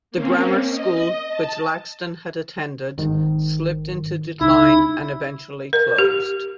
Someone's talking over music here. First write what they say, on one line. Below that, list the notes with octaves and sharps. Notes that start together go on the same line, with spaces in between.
The grammar school which Laxton had attended slipped into decline and eventually closed.
A#3 C4 C#4
D#5
A5
G#1 G#2 D#3
C#2 D#4 E4
A#4
G4